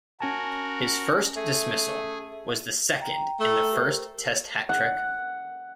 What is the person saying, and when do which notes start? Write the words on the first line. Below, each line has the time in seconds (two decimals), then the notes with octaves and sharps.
His first dismissal was the second in the first Test hat-trick.
0.21 C#4 F#4 A#4 G#5 A5
1.36 A3 G#4
3.00 G5 A#5
3.39 A3
3.71 G4 A#4 C5
4.69 F#5